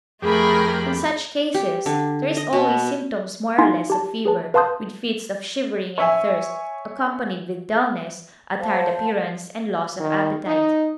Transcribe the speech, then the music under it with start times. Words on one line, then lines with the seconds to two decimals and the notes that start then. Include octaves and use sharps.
In such cases there is always symptoms more or less of fever, with fits of shivering and thirst, accompanied with dullness, a tired appearance and loss of appetite.
0.22 F2 A3 G4 G#4 A#4 B5
1.54 G4
1.86 D3
2.37 D#5
2.53 B2
3.58 D#4 E4 F5 G#5 C6
3.90 G4 A5
4.25 G#4 B4 A5
4.54 B4 F5 A5 C6 D#6 G6
5.98 C#5 E5 G#5
8.59 C5 F5 A5
10.00 D#3
10.47 D#4